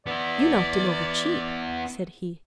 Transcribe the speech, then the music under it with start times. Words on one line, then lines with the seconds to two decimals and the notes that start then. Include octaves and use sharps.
"You knocked him over cheap," said he.
0.06 B3 E4 D5